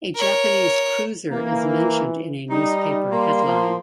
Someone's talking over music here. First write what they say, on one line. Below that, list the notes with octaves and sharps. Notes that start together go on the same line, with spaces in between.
A Japanese cruiser is mentioned in a newspaper headline.
A#4 C#5
E3 A#3
G3 D#4
A#3 C6
F3